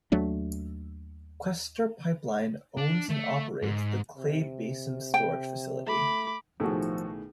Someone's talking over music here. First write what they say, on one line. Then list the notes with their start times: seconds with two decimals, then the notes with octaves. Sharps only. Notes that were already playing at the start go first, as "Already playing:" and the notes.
Questar Pipeline owns and operates the Clay Basin storage facility.
0.12 D#2 F#3 A3 D4
2.77 D4
3.09 A3
3.62 G#2
4.17 C3
5.14 G5
5.87 A3 B5 D6
6.60 B1 A2 D#3 F3 F#4 G#4 A4